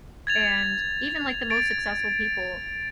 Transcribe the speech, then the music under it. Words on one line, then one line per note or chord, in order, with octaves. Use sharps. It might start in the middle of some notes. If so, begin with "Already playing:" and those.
and even like the most successful people,
G#6 A6 F7
A6 D7